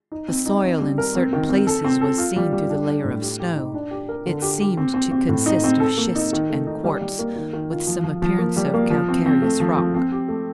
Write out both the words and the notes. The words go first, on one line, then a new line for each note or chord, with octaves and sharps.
The soil in certain places was seen through the layer of snow; it seemed to consist of schist and quartz, with some appearance of calcareous rock.
D#4
C4
D#4
C4
G3
A#4
C4
D#3
C4
A4
C4
A4
F4
G3
G3
D4
D4
A2
G4
G4
D#4
D4
G4
A#4
D3
G4
G4
C4
C4
C4
A2
D#4
C4
A4
A#3
D#4
D#3
A3
D#4
G3
G3
A#3
D#3
D#3
F4
F3
F3
F3
A#3
G3
A#3
F3
C4
C4
A3
F3
F3
C4
G4
A3